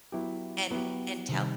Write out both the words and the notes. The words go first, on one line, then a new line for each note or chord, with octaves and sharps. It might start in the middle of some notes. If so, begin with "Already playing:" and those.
and and tell
F#3 B3 E4 G4
F#3 B3 E4 G4
C3 D#3 G3